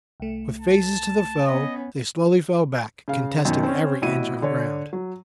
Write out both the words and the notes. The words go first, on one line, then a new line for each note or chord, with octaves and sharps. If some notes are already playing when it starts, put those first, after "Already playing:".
With faces to the foe, they slowly fell back, contesting every inch of ground.
C2 A3
A5
B3 C#4 D#5
C#3 F5
F#2 B2 D#3
C4 C#4
A1 B2 E4 F#4 D#7
D3 C#5
F#3